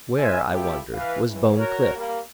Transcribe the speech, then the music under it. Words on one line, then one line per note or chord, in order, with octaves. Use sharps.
Where, I wondered, was Bone Cliff?
B3 F4 E5 G#5
A3 B3 E4 F4 G4
E3 B4 F5
C#2 E3
F#4 A#4 C#5
G3 A#3